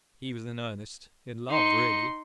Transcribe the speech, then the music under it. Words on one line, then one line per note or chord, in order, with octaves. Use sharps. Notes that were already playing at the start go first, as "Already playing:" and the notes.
He was in earnest: in love, really.
D#4 C6 C#7